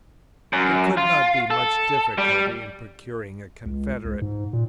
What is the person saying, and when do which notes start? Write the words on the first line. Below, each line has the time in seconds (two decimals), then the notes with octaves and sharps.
There could not be much difficulty in procuring a confederate.
0.53 F#2
0.97 F4
1.51 A4
2.18 G3
3.66 C#2
4.05 C#2
4.22 G#2
4.53 A#2